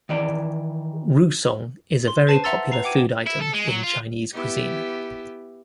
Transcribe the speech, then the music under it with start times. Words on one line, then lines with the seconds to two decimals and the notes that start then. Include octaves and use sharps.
"Rousong" is a very popular food item in Chinese cuisine.
0.09 D#3 E3 D5
2.08 C6
2.27 B4 C5 A5 C7 D#7 F#7
2.44 E5 F#5 A#5 C6 E6 A6
2.72 B4 A#5 C7
2.84 F#5 G5 D6 G#6 D#7
3.27 E4
3.42 A4
3.54 G#3
3.68 F#3
3.84 F4
4.33 B3 E4 G4